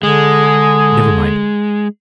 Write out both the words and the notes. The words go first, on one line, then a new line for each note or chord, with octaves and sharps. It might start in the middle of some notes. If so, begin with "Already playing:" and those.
Never mind.
D3 G#3 G#4